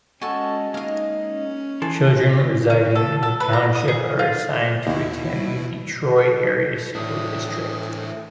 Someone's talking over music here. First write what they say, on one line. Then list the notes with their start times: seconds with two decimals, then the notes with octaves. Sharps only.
Children residing in the township are assigned to attend the Troy Area School District.
0.22 G#3 C#4 F#4 A4 G#5 A5
0.74 G#3 A#3 D#4 D#5 F5
1.17 C#4
1.82 E3 G#4 A4 C6
2.70 C#4
2.95 A4
3.23 A4
3.40 B4
3.53 A#5
3.75 D#6
3.88 G#4
4.19 F4
4.87 D#2 B2 E4
6.95 A2 E3 D4 C5 E5 D#6